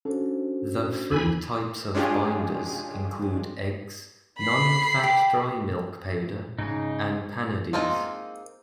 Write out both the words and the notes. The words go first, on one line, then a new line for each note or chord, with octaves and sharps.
The three types of binders include eggs, nonfat dry milk powder, and panades.
C#4 D4 F#4 A4 C5
E2 G#5 B5
G#3 C#4 D4 F4 G4 G#4
B5 C7
G4
G#2 C#3 D#4
G#3 A#3 C4 D#4 F4